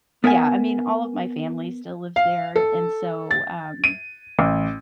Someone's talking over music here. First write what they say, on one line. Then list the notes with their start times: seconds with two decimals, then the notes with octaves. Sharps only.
yeah, I mean, all of my family still lives there. And so, um
0.24 B3 A#4 E5 F#5 G#5
2.16 F5
2.56 A4
3.31 A6
3.84 D#7
4.39 A1